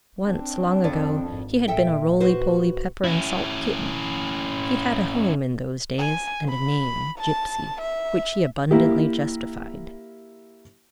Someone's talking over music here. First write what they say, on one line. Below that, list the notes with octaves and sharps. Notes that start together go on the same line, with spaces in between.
Once, long ago, he had been a roly-poly pepper-and-salt kitten; he had a home in those days, and a name, "Gipsy," which he abundantly justified.
C4 D4
F2 D5
G#1
A#2 A4 E5 G5
F#4 B4 C5
C#4 E4
G#5
B5
A5
E5
A#3 E4 G4